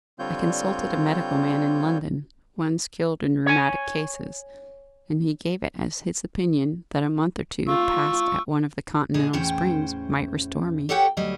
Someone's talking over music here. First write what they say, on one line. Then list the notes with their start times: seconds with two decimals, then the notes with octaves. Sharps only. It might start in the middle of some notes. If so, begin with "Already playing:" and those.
I consulted a medical man in London, one skilled in rheumatic cases, and he gave it as his opinion that a month or two passed at one of the continental springs might restore me.
0.19 D3 G3 C4 F4 C#5 G6
3.46 C#5 G#5
7.69 F4 C#6 E6
9.14 A#2 G#3 G#4 D5
9.33 E2 A2 C#4 C5 G5
10.89 G4 A4 C#5 F#5 G5
11.17 D2 F#3 G3 D#5